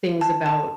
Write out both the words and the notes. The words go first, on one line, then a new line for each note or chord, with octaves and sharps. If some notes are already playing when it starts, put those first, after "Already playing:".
things about
A5
A5